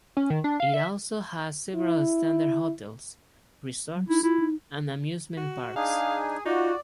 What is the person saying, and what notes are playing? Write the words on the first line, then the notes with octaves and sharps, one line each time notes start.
It also has several standard hotels, resorts and amusement parks.
C#4
D#3
D4
F5
E5
E4
F#3
D#4 E4
E4 F4
D#4
F#4
D4 D#4 G#4 F5
D#4 F4 F#4 D5